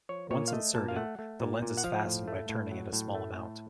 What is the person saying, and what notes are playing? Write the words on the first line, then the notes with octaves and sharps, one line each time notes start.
Once inserted the lens is fastened by turning it a small amount.
F3 C#5
A#2 C#5
F5
A3 D#5
A#2 A5
F5
A3 F#5
A3
A#2
A#2
F#5
F3 F5
A2
A3
A2
F#3
A2
A3
A2